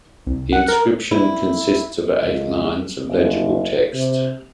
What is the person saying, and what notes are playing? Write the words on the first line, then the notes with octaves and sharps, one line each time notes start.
The inscription consists of eight lines of legible text.
C2
F#5
A#4
E4
C#2
F#1
C3